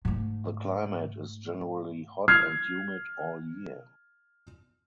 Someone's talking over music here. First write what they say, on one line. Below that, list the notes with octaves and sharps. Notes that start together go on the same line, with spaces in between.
The climate is generally hot and humid all year.
G#2 A3
F6 G#6 C7